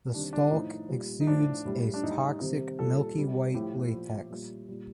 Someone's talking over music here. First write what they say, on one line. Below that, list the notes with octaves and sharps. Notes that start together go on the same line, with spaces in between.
The stalk exudes a toxic milky white latex.
C3 D#3 G3 D4
D4
A2 F3 D#4
A#2 G3
D#4
A2 F3 D4
A2 G3
D4
A2 G3 D#4
C3 D#3 G3
A#2 G3 A4
C3 G3
A2 F3 G4
A#2 F3
A#2 G3
A#2 G3